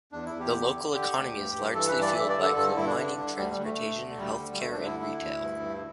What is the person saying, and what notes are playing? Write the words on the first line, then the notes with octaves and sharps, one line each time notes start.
The local economy is largely fueled by coal mining, transportation, health care and retail.
E2 D4
E4
E2
G4
D3
D3
D3 G4
D2
G2
G2
E3 A4
B4
G2
D5
G2 E5
D5
D3
A4
G2 A4
G2 E4
D4
D3
D3
D2 G3
G3
D2
A3
D2
D3
A3
D2 G3
D3
G3
D2 A3
D4
D3
E4
D2 E4
D2
G2
G2